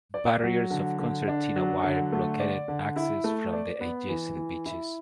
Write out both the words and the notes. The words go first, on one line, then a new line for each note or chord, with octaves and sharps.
Barriers of concertina wire blockaded access from the adjacent beaches.
D5
F#3
D3
D3
D4
F#3
D3
A3
D5
D3
E4
A3
D5
B3
E3
E3
E4